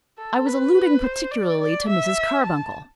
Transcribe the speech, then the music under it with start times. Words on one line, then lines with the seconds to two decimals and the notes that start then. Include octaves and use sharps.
"I was alluding particularly to Mrs. Carbuncle."
0.18 A4
0.47 B4
0.75 B4
1.04 C5
1.32 D5
1.61 D5
1.89 E5
2.45 A5